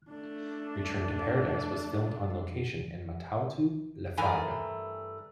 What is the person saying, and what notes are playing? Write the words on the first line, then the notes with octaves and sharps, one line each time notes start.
Return to Paradise was filmed on location in Matautu, Lefaga.
A3 D4
G2 E3 A3 A#4 G#5 A#5